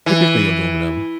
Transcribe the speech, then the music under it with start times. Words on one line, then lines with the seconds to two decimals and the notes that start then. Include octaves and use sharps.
typically aluminum,
0.06 E3